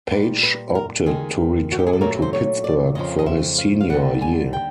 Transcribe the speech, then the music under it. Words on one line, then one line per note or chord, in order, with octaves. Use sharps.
Page opted to return to Pittsburgh for his senior year.
A#2 G3 B4
B4
A#4
D#2 D#3 G#3 G#4
F#4
G4
G#4
A4
A#2 F#3 A3 A#4
C5
C#5
D5
F2 C#3 F3 D#5
D#5
E5
F5
F5
D#2 D3 G3 F#5
G#5
G5